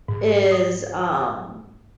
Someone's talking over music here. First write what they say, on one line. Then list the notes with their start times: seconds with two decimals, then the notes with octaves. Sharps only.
is, um
0.08 G#2
0.52 D#6